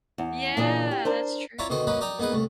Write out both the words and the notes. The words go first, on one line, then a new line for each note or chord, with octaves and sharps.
Yeah, that's true.
E2
A#2 C#3 E3 D4 G#4 D#5
G4
D4 A#4 C5
E4 F4 C#5 D5 E5 A#5
B2 D3 D#3 C5 D#5
F#3 A#3 C#4 B4 D#5
A#4 D5 D#5 G5 A#5
A#3 B3 D#4 G#4 B4
C2 A3